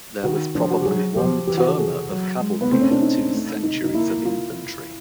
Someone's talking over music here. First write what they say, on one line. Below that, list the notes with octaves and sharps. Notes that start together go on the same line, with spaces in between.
There was probably one "turma" of cavalry for two centuries of infantry.
D#3 F#4
F3 D4
F#4
G4
F#3 G#4
F3 G4
E3 G4
F#4
A4
G#4
F#3
G#3
B3
A3 C4
C#4
D4
D#4
A3
D#4
D#4
A#3 E4
F4